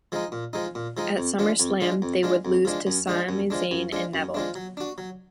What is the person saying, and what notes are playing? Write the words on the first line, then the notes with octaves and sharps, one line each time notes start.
At SummerSlam, they would lose to Sami Zayn and Neville.
F3 G#3 D#4
A#2
F3 G#3 D#4
A#2
F3 G#3 D#4
F2
F3 G#3 D4
F2
F3 G#3 D4
F2
F3 G#3 D4
F2
F3 G#3 D4
F#2
F3 G#3 D4
F#2
F3 G#3 D4
F#2
F3 G#3 D4
F#2
F3 G#3 D4
F#3
D4 F#4
F#3